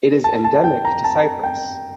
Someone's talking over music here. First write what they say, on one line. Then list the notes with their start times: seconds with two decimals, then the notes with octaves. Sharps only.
It is endemic to Cyprus.
0.24 A5
0.44 A5
0.64 G5
0.85 A#5
1.04 A5
1.44 G5